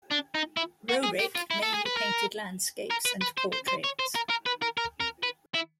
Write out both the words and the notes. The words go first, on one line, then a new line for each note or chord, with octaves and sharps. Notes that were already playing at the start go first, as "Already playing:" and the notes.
Roerich mainly painted landscapes and portraits.
D4
D#4
E4
F#4
G#4
G4
F4
E4
A4
G#4
B4
A#4
A#4
B4
B4
C5
C5
C5
C#5
C5
A#4
A#4
B4
A#4
A#4
A#4
B4
E4